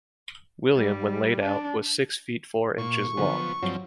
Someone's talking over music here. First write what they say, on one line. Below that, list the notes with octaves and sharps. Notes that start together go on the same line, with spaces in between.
William, when laid out, was six feet four inches long.
G3
D4
A#2 C#6
D3 F3 F#3 B3 C#4
G2 F3 F#3 C4